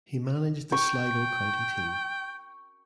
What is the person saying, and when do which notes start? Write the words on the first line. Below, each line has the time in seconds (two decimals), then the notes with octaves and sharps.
He managed the Sligo county team.
0.72 G5 C#6